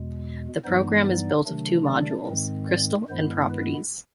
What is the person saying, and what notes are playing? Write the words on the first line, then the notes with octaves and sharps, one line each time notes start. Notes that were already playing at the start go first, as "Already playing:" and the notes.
The program is built of two modules: "crystal" and "properties".
Already playing: E2 B2 G#3
G2 E3 G3 B3 D#4 C5
D5
C3 D#3 F#3 A3 D4
D5
G#2 D#3 G#3 C4
D5
G2 D#3 G#3 B3 E4 C5
B4